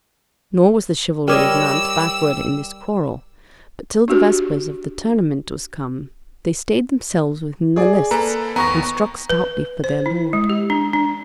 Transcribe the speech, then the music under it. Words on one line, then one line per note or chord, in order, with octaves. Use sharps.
Nor was the chivalry of Nantes backward in this quarrel, but till the vespers of the tournament was come, they stayed themselves within the lists, and struck stoutly for their lord.
G3 A#4 C#5 D#5 G5 D6 E6
D4 F#4 G4
G#4 D5
A#3 A4 B4 A#5
D#2 B3 A#5 C#6 A#6
B4
C5
E4
G#3
G4
D4
D4